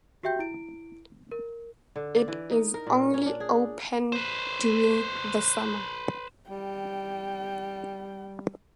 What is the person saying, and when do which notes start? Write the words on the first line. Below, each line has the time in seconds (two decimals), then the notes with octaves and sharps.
It is only open during the summer.
0.23 F#4 G4 E5 G5 G6
0.39 E4 D7
1.31 A#4
1.96 D3
2.16 D5
2.28 E3
2.51 D#4
2.74 A#4
2.87 A#2
3.14 C#4
3.26 D4
3.40 G#4
4.12 B4 C5
6.50 G3 G5